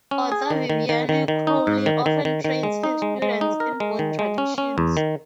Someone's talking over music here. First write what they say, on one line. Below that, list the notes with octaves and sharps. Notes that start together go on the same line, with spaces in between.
Author Vivianne Crowley often trains her students in both traditions.
C#4
G#4
D#3
D#3
D#3
D#3
D#3
D#4
G#2
D#3
D#3
D#3
D#3
G#3
D#4
G#3
G#3
D#4
A#4
G#3
D#3
G#3
C#4
C#4
E2
D#3